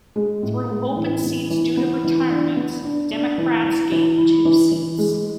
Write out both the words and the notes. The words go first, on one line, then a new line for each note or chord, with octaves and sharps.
Through open seats due to retirements, Democrats gained two seats.
G#3
A2
G#3
E3
B3
E3
B3
E3
D4
B3
D4
D4
E3
E3
E3
E4
E3
E3
G#3